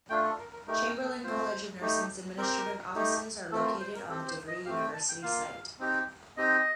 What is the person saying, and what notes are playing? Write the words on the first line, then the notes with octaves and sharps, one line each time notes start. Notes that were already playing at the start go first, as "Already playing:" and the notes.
Chamberlain College of Nursing's administrative offices are located on the DeVry University site.
A3 D4 F4 G5
A4
A#4
A#4
A3 D#4 G4 A#4
A#4
A4
A3 C4 F4 C5
A3 D#4 G4
C4 G4 A#4
A3 D#4 G4
A3 C4 F4 A4
A#4
C5
A#4
C4 G4 A4
C5
D#5
A3 C4 G4 F5
G5
A5
G5
A#3 F4 F5
C4 D#4 G4
C4 D#4 G4 D#5